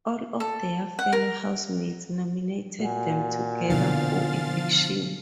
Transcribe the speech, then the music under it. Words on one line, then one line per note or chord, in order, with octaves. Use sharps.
All of their fellow Housemates nominated them together for eviction.
A4
F#5
A#4
A#2 F#4 F#5 G#5
B2 D3 E3 F3 F5 A6